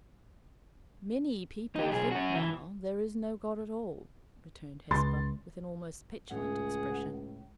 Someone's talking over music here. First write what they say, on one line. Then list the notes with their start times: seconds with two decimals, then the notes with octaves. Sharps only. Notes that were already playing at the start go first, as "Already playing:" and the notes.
"Many people think now there is no God at all," returned Hesper, with an almost petulant expression.
1.76 D#4 G4
1.90 B1 G#4
2.11 C#4 F#4
2.35 E3
4.91 C#2 C6 A6
6.31 C#2 A2 G#4 F#5